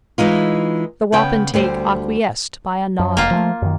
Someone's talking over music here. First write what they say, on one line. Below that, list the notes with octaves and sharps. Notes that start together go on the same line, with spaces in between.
The wapentake acquiesced by a nod.
E3 G#3 D#4 F4
C#3 B3 G5
D2 G3 C5
F#2
F1 A#3 F4
F3 G#3 A3
F#2 D#3